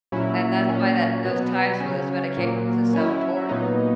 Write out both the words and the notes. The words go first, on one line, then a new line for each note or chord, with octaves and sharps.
And that's why that those times for those medications is so important.
A#2 F#3 C#4 E4
A#2 F#3 C#4
B2 F#3 B3
C#3 F#3 C#4
A#2 F#3 A#3
F#3 C#4 E4
A#2 F#3 B3 D#4